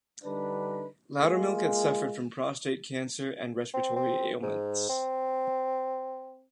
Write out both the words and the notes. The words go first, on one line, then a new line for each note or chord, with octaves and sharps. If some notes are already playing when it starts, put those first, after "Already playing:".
Loudermilk had suffered from prostate cancer and respiratory ailments.
D3 G3 D4 D#4 B4
G#3 A#3 F4 G#4
C4
C4
G#2
C4